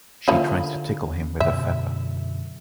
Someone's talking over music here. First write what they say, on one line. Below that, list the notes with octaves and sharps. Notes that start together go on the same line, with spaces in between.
She tries to tickle him with a feather.
D3 F3 A#3 C#4 E4
F#2 B2 D3 E5